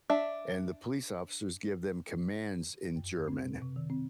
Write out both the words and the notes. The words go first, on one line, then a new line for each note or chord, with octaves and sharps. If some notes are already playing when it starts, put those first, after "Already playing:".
-and the police officers give them commands in German,
D4 E5
F#2
C4
B2
C3
D#3
C4